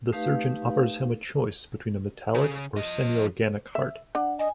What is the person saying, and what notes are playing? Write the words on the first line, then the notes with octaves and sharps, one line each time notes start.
The surgeon offers him a choice between a metallic or semi-organic heart.
A3 D#4 G4 B4 F5
C#3
F3 D#5
E5
D4 F#5
D#5 G#5